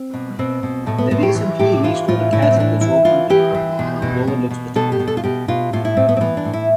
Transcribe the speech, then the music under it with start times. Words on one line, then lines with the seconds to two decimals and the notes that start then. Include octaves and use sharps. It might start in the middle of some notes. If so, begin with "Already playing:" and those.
The recently restored castle is open to the public and overlooks the town.
Already playing: C4
0.14 B2
0.39 B2 C4
0.63 B2
0.86 A2 A3
0.98 B3
1.11 A2 B3
1.23 G4
1.35 E3
1.59 A2 G4
1.83 E3 F4
2.08 A2 F4
2.33 A2 E4
2.42 D4
2.51 C4
2.56 E3 D4
2.81 E3 E4
3.05 E3 F4
3.30 E3 G4
3.55 E3
3.79 B2
4.02 B2
4.27 B2
4.51 B2
4.75 B2 A4
4.92 G4
5.00 B2
5.07 A4
5.17 F4
5.24 B2 G4
5.48 B2 F4
5.73 A2 F4
5.85 E4
5.97 A2 C4
6.09 B3
6.17 C4
6.21 E3 B3
6.37 D4
6.45 A2
6.53 E4